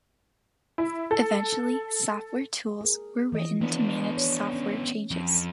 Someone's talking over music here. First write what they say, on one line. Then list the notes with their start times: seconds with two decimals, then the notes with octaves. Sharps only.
Eventually, software tools were written to manage software changes.
0.78 E4
1.11 A4
2.81 G#4 A#4
3.32 E3 F3 D#5
3.61 B3 D4
4.17 C#5
4.53 C#4
5.11 F2